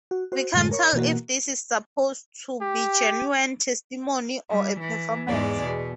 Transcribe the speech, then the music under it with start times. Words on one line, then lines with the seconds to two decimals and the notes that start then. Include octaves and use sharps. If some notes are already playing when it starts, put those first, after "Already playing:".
We can't tell if this is supposed to be genuine testimony or a performance.
0.11 F#4
0.32 F#4 C5
0.54 F#2 A2 D3 G#3 A3
0.71 A#4 C#5 C#6
0.93 B2 E3 A#3 F#4
2.61 G4
4.49 G3
4.79 E3
5.28 E2 G#2 G#3 D5
5.62 B2